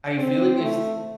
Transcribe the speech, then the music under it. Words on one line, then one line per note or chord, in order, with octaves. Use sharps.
I feel like if s
C4
A3